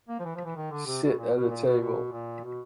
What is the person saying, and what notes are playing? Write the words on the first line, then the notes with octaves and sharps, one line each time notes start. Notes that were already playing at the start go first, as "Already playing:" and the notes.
Sit at the table.
A#3
F3
E3
F3
E3
D#3
D3
C3
B2
A#2
B2
A#2
B2
B2
A#2
B2